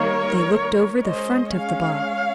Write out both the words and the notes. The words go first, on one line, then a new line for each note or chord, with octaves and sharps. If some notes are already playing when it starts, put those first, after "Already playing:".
They looked over the front of the box.
Already playing: D#3 G3 A#3 A#4 C#5
G#3 C#4 C5 D#5
C#5 F5